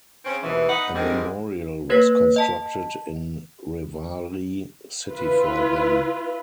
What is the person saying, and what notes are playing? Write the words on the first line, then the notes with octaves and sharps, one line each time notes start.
A memorial was constructed in Rewari city for them.
C#3 C4 C#4
D#2 G#2 B2 E3
B3 D#4 B4 D#5 F#5
D3 D#3 G3 G#3 C4
A#3 B4 C#5 A#6 B6
D#5 A5 B6
E4 F4 B4